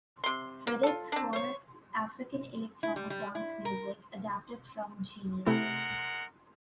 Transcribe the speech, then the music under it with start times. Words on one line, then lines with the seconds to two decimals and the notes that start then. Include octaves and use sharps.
Credits for "African Electronic Dance Music" adapted from Genius.
0.24 C3 C6
0.67 A#3
0.83 F4 A4
1.12 C4 D4
1.33 C5 C#5
2.83 E4
2.96 G3
3.10 G3
3.35 E4
3.65 A#4
5.46 C3 G#3 A3 E4 A#4 F#5